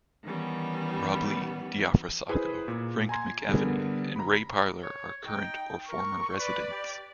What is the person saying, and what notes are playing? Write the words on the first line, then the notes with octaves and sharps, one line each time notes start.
Rob Lee, Diafra Sakho, Frank McAvenie and Ray Parlour are current or former residents.
D#3 E3 G3 B3 C#4
E4 G#4 B4 C5
A#2
G#5 A#5 C6 G#6
D3 G3 B3 G#4 A#4
A#5 B5
C#5
D#4 G5
A#4 C#6
B4 D5
G4